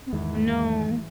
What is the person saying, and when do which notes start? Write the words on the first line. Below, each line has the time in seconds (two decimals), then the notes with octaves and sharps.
Oh, no.
0.13 E2 G#2 D#3 G#3